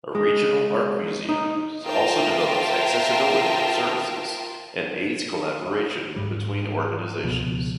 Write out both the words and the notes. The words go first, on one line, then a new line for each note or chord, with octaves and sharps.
A regional art museum also develops accessibility of services and aids collaboration between organizations.
G#3
D#4
F4 A#4 C5 E5 G5 A5
G#2 G3
C#2 B2 F3 B3